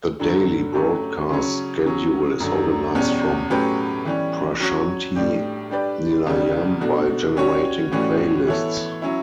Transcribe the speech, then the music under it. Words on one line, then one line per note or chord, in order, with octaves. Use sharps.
The daily broadcast schedule is organized from Prashanthi Nilayam by generating playlists.
G2 D3 F#3
F#3 A3 C#4 G4
C#3 F#3 C#4
C#3 F#3 C#4
F#2 D3 F#3
E2 B2 G3 C#4
A2 F#3 C#4 G4 B4
E3 G3 C#4
F#3 C#4 F#4 C#5
A2 G3 D4 G4
G3 D4 G4 B4 D5
E2 C#3 G3
B2 A3 D4 F#4
G3 C#4 F#4 C#5
A2 E3 G3 C#4 F#4
E3 B3 E4 A4 C#5
F#3 C#4 E4